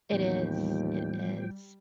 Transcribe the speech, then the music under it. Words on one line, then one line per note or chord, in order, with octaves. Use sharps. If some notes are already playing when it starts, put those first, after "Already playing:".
It is, it is,
D#2 A2 E3 F3 G3 B3 C#4 G5